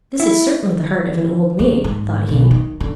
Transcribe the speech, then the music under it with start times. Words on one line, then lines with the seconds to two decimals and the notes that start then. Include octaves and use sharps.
"This is certainly the heart of an old maid," thought he.
0.20 E4
1.59 D#2
1.84 G#2
2.29 B1
2.51 D#3
2.80 D3